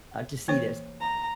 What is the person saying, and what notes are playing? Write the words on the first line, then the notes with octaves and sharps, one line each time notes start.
uh, to see this.
E3 A#3 C#5
A#5